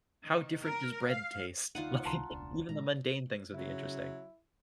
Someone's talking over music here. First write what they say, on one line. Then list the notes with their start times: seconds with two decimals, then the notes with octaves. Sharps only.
how different does bread taste? Like, even the mundane things would be interesting.
0.25 D#3
0.64 A#4
1.05 F5
1.75 D2 D#4 F4 F5 F#5 D#7
2.05 C2 A5 A#5 C6
2.31 E1 C#2 D4
2.69 A#2 G#3 A#5
3.54 C#3 F#3 E4